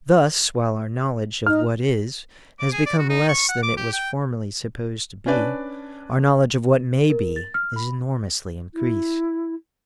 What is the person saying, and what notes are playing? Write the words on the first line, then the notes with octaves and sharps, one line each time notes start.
Thus, while our knowledge of what is has become less than it was formerly supposed to be, our knowledge of what may be is enormously increased.
D#4 F6
D6
G#4
D5
F#4
D#4
C#6
F#5
D6
G4
G5
C#4 D4 B4 D5
A#4
A6
F6
B5
E4